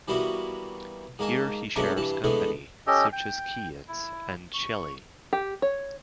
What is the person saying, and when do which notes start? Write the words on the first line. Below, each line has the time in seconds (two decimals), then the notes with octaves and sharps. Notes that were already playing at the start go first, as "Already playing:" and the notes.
Here he shares company such as Keats and Shelley.
0.08 E3 G3 A#3 B3 E4 F#4
1.19 G#2 A#3 G#5 A5
1.76 A#2 F#3 G#3 A3 B3 D4
1.97 G2 E3 A5
2.24 D3 E3 G#3 A3 B3
2.87 C#4 G4 A4 D#5
3.13 G5
3.88 E4
4.54 C#6
5.33 G4
5.62 C#5